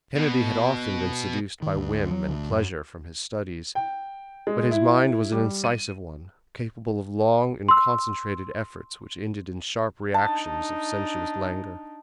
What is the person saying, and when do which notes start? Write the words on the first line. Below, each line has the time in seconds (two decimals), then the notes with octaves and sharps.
Kennedy had often been seduced by whim and pleasure from his studies, but his mind was an incisive one, capable of long and concentrated efforts which ended in sharp reactions of sensuous languor.
0.15 B2
1.62 D#3
1.76 D2
2.11 F#3
2.29 D2
2.51 F#2
3.75 G5
4.47 G#3
4.71 E4
5.32 G3
5.64 D#7
7.69 C6 E6
10.14 D4 D#4 A5